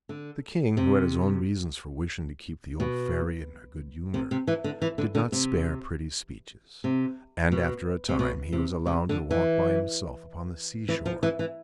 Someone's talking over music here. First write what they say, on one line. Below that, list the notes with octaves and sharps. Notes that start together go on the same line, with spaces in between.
The King, who had his own reasons for wishing to keep the old Fairy in a good humor, did not spare pretty speeches, and after a time he was allowed to walk by himself upon the sea-shore.
D3
C3
B2
C3
C3
E3
D3
E3
D3
D3
C3
C3
B2
C3
B2
C3
C3
D3
E3
E3
F3
E3
E3